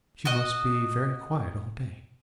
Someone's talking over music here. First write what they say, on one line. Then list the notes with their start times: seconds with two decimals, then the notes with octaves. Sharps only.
"She must be very quiet all day."
0.25 F#4 D#5